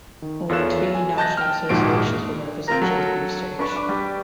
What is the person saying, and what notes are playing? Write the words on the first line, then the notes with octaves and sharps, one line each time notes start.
Only three national associations were represented in the group stage.
D#3
E2 F4 A4 C#5 F#6 E7
G#5
D#5 A5 F#6 G6 A6 A#6
G5 F6
A#1 D#2 G#2 F3 F#4 D7
C4 F4 A#4 A#5
F#3 A4
D4 B4 C#6
D6
G3